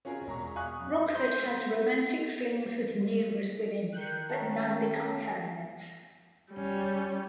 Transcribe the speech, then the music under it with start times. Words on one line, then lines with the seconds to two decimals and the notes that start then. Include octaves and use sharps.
Rockford has romantic flings with numerous women, but none become permanent.
0.05 C#4 F4 F#4 G#4 A#4
0.27 E1 A#5 C#6
0.56 F5 G#5 C#6 D#6 F#6
0.79 F#2
1.15 C5
3.92 D#3 F#6 G6 C#7
4.29 C#4 A#4 A5
6.53 G3 C#4